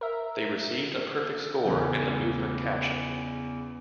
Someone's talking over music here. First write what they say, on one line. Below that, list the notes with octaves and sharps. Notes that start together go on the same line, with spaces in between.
They received a Perfect Score in the Movement Caption.
A#4 E5
E2 C#3